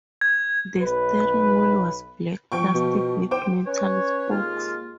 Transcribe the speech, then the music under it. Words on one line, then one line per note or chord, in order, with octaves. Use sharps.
The steering wheel was black plastic with metal spokes.
G#6
B1 B4
F3 G5 C#6
B2
C5 G5 D6
C#4 B4 C#5
D#2 G#3 A#3 F4